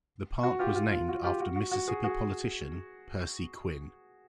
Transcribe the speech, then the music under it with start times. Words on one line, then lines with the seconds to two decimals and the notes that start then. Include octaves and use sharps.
The park was named after Mississippi politician Percy Quin.
0.43 F#4
0.59 F4 G4
0.75 F4
0.91 F4
1.08 F#4
1.23 F4 G4
1.40 F#4
1.56 F#4
1.71 F#4
1.88 F#4 G#4
2.04 F#4 G#4